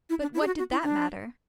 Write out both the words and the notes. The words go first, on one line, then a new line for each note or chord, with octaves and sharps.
But what did that matter?
E4
D4
E4
G#4
F#4
F#4
E4
D4